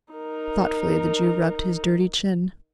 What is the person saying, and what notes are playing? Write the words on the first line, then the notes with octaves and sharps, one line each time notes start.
Thoughtfully the Jew rubbed his dirty chin.
D#4 A#4